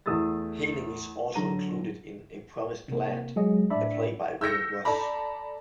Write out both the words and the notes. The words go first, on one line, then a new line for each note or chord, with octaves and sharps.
Haining is also included in 'A Promised Land', a play by Raymond Ross.
E2 A3 D#6 E6 A6
D3 F#3 A#5 D#7
C3 A#3
F#3 G#3 G#4 D#5
A2 D4 D5 E5 B5
E6 G6 A#6 C#7
A4 D5 A#5 B5